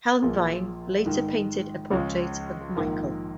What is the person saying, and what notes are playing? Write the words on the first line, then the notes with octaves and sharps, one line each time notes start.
Helnwein later painted a portrait of Michael.
A#1 A#2 A#3 F4 G#4
G#2 D#3 G#3
C#2 C#3 F3 G#3
A#1 G#2 D#3 A#3 F4